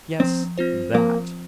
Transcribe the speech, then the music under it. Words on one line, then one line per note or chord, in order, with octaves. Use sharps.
Yes, that.
F3 C4
C4 F4 C5
F3 A#3